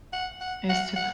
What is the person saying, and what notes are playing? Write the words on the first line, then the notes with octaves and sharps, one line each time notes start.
It's to
F#5
F#5
F#5
F#5